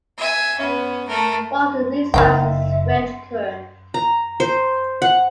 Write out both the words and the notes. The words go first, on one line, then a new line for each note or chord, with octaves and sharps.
Wall resides in Swift Current.
E5 G#5
B3 C#4
A3 A#4
F#1 A#3 D#4 E5 G5
A#5
C5
F#5